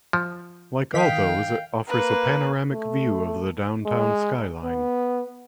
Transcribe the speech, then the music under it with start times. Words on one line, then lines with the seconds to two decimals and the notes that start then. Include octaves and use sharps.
Like all those, it offers a panoramic view of the downtown skyline.
0.13 F3
0.94 D#3 F5 G5 B6
1.88 A#3 B4
2.70 A3
3.86 G#3
4.64 B3